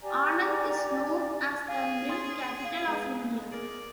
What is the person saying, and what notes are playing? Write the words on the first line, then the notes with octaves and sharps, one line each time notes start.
Anand is known as the Milk Capital of India.
G4 D5 G#5 A#5
G#4 F5 G#5
C#4 C6 D#6 A6
F5
G#3 B3 D#4
G#4 A#4 D5